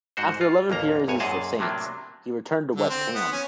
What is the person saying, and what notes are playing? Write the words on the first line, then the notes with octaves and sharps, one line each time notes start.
After eleven appearances for Saints he returned to West Ham.
G#2 F#4 C5
F4
A1 D#2 A#3 A#5
G#1 G2 C#5 G#5
F#2 A#2 G#4 D#5 A5
A2 C3 F#3 A#3 D4
D3
C4
B3
C#4